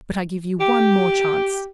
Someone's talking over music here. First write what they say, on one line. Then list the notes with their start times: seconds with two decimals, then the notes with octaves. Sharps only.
But I give you one more chance.
0.60 G4